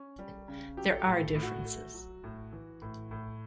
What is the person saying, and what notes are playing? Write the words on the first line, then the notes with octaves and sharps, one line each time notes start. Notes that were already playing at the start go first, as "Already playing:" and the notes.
There are differences.
Already playing: C#4
G3
C#3
F#3 G4
A4
G4
A2
A4
A2
F#4
A3
F#3
A2
E3
A2
A2